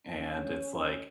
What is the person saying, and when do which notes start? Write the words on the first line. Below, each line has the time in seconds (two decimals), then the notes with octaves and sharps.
and, it's like
0.19 C#4